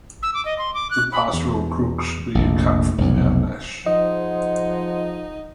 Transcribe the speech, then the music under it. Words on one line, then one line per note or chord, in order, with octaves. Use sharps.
The pastoral crook should be cut from the mountain-ash.
E6
D6
D#5
C6
D6
F#6
B5
E2
F1 A#1
F1 B1
F3 D#4 G#4 C5 D#5 F#5